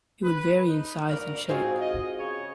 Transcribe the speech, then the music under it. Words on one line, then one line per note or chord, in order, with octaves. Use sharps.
It would vary in size and shape.
B4
D#4
D2 F#4 A#4 D5
G#2 C4 F4 F#4 G#4
D#5
C#3 C#5